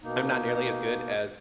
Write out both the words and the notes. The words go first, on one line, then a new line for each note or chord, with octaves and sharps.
I'm not nearly as good as
B2 A#3 D#4